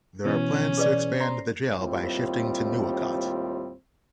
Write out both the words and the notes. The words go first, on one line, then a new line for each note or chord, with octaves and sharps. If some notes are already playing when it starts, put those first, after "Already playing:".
There are plans to expand the jail by shifting to Nuwakot.
B2 E3 C#4
G#4 B4 D5
C5 A#5 C6
D#2 A2 G3 C4 F4